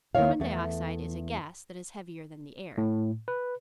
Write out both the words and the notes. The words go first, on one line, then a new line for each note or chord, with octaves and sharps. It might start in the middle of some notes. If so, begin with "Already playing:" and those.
Carbon dioxide is a gas that is heavier than the air.
D#2 D#3 A#3 E4 C#5 F5
E2 A3
A2
B4